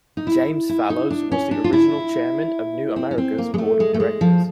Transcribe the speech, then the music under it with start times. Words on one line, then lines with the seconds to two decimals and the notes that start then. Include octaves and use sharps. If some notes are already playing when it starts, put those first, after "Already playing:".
James Fallows was the original chairman of New America's board of directors.
0.17 D#4
0.27 E4
0.69 E4
0.90 D#4
1.11 D4
1.32 C#4
1.51 D4
1.64 F4
1.73 E4
2.96 C4
3.11 C#4
3.18 C4
3.38 A#3
3.54 G#3
3.58 A3
3.80 G#3
3.94 A3
4.00 G#3
4.21 F3